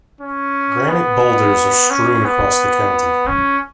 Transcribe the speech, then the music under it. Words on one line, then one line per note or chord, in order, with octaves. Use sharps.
Granite boulders are strewn across the county.
C#4
B3
C#4
B3
C#4